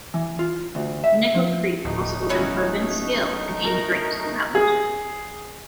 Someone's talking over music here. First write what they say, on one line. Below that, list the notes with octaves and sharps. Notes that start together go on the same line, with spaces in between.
Nickel Creek also opened for Vince Gill and Amy Grant in that winter.
E3
F4
D2
E5
F3
D1 B2 A3 D#4
F#3 C#4 E4
A#4
G#4